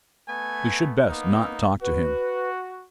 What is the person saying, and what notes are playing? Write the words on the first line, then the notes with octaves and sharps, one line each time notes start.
"We should best not talk to him."
A3 B3 G#5
A#3 B3 D#4
F#4 B4